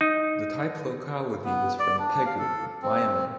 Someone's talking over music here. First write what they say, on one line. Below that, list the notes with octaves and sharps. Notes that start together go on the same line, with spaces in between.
The type locality is from Pegu, Myanmar.
D#4
B3
D5
D4
F5
A4
C4